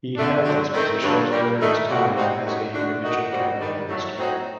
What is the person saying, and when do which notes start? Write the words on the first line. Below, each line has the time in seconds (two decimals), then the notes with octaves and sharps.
He held these positions during his time as a provincial cabinet minister.
0.16 D3 A3 D4
0.44 D3 F#3 C4
0.73 D#3 A3 C4
1.01 G2 D3 F#3 A#3 D4
1.31 A#2 G3 A#3
1.59 D#3 A3 D4
1.87 A#2 G3 A#3 F#4
2.15 C3 G3 C4 D#4 F#4
2.44 F#2 F#3 A3 D#4 F#4
2.73 D3 A3 D4 F#4
3.02 D#3 A3 D#4 F#4
3.30 A#2 G3 C4 F#4
3.59 D#3 G3 D4
3.87 A2 F#3 A3
4.16 A2 F#3 C4 D#4 F#4